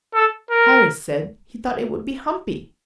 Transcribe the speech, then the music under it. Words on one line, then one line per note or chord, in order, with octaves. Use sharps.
Harris said he thought it would be humpy.
A4
A#4